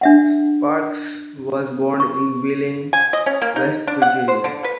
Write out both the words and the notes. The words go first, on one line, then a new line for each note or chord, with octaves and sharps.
Sparks was born in Wheeling, West Virginia.
D4 E5 F#5
C#6
G#5
D#5
C#4
A#3
D#4
D4
F#5
C5
D3
B4